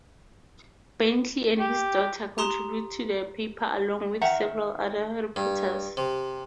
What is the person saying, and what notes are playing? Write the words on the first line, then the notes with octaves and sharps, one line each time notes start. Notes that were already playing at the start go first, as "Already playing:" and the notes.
Bentley and his daughter contribute to the paper along with several other reporters.
G4
G4 A#5 C6 D#6 E7
D#3 E5 F#5 A#5
G2
C3